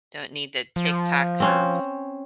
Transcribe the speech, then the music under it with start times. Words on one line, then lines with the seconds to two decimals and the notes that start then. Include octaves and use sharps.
don't need the TikTok for
0.76 F3
1.40 C4 C#4 C5